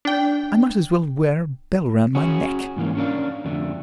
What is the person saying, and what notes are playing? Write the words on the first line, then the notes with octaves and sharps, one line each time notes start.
I might as well wear a bell round my neck.
D4 G5
C#4 F#4 G#4
G#2 E3 A#3 C#4
C#4 D4 A#4 F5
F2 D3 A3